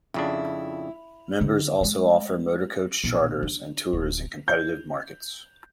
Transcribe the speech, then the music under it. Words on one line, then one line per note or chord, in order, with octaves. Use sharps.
Members also offer motorcoach charters and tours in competitive markets.
F2 C#3 D4 E4
D3
G#3 A3
B1 A#2
D4
D1
G6